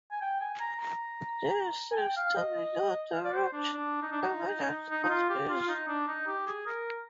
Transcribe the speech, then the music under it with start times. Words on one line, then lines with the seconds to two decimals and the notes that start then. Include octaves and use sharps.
There seems to be no direct evidence of this.
0.11 G#5
0.21 G5
0.41 G#5
0.60 A#5
0.80 A#5
1.92 G#5
1.97 G5
2.17 F5
2.36 D#5
3.14 F5
3.24 D5
3.33 C5
3.53 D4
3.73 D4
4.02 D#4
4.12 D4
4.22 D#4
4.90 D#4
5.04 D#4
5.10 F4
5.30 G4
5.49 F4
5.60 F4
5.68 D#4
5.88 D4
6.08 D#4
6.27 G4
6.47 G#4
6.67 A#4